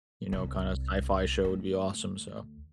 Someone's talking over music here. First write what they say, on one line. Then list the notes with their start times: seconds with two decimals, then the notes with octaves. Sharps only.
you know, kinda sci-fi show would be awesome, so.
0.33 C2
1.44 D2